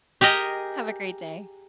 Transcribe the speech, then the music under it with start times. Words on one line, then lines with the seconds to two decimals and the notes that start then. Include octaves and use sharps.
Have a great day.
0.21 G4 G#4 A#4 D#5